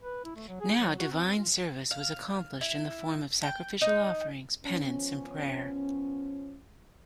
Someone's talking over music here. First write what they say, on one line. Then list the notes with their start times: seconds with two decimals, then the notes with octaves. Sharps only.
Now divine service was accomplished in the form of sacrificial offerings, penance and prayer.
0.02 B4
0.25 E4
0.36 A3
0.48 F#3
0.60 G#4
0.79 F#3
0.98 F#4
1.11 C4
1.25 C4
1.37 F4
1.91 F5
2.61 E4
3.43 G5
3.81 D#4
4.65 F3 B3 C#4